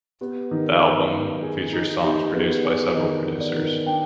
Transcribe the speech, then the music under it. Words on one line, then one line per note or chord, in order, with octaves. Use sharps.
The album features songs produced by several producers.
B3 G4
D#3
B3
D#4
G#4
D#4
D#4 G4
B3 G#4
G#4 D5
D#3 D#5
B3
D5
D#3
D4 G5